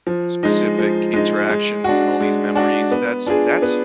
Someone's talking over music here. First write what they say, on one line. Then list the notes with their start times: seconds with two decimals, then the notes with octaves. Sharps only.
specific interactions and all these memories. That's that's
0.07 F3
0.43 G#3 D#4
0.79 F3
1.13 G#3 D#4
1.49 G#3
1.84 D4 F#4
2.20 G#3
2.55 D4 F#4
2.91 B3
3.27 D4 F4 G#4
3.62 B3